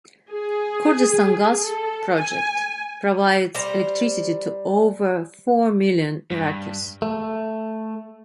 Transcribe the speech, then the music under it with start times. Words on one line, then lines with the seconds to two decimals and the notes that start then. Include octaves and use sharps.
Kurdistan Gas project provides electricity to over four million Iraqis.
0.30 G#4
1.63 A4
2.16 G#5
3.55 G3 C5 A#5
6.31 G2
7.02 A3